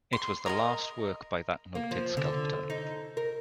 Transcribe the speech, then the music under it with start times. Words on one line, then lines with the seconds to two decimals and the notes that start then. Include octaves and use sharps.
It was the last work by that noted sculptor.
0.13 C6
0.46 A#4 B4 D#5
1.75 A#3
1.91 F3
2.17 D3
2.70 D#4
3.17 A#4